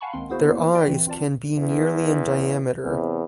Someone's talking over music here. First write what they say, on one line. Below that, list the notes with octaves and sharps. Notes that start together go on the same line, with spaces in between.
Their eyes can be nearly in diameter.
F5 F#5 G#5 A5 B5 C#6
C#2 D#3 A#3 C4 C6
A#3 B3 E4 F#4 G#4 C5
F#4 D5 G5
D3 E3 C4
C4 F4 D5 A5
E2
E2 C3